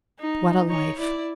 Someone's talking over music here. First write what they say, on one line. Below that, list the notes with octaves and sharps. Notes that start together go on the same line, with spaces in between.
What a life!
D#4
D#4 C#5
E4 D5